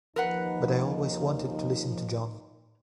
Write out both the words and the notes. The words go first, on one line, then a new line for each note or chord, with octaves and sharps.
But I always wanted to listen to John.
D#2 F3 D#4 A#4 B4 F#5